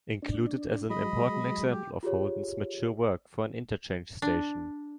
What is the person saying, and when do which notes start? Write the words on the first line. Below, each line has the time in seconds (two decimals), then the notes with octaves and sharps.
Included as an important example of Holden's mature work for an interchange station.
0.22 D4
0.90 F#3 G#3 D#5 B5
1.71 G4
2.03 F4 G4 G#4 C#5
4.22 D4